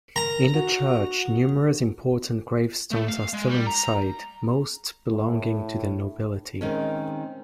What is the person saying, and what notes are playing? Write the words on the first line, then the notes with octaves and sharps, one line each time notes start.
In the church numerous important gravestones are still inside, most belonging to the nobility.
A#4 A#5
F#4
A3
F5
G#3
G3
A#5
A2
D#3 G#3 C4 C#4